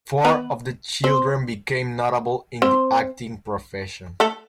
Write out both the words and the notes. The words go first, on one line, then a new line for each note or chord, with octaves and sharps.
Four of the children became notable in the acting profession.
B3 B4
C4 C5
C4 C5
A3 A4